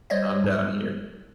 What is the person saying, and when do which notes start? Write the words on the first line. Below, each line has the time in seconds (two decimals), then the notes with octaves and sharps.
I'm down here.
0.10 G3 C5 C#5 D#5
0.44 G#2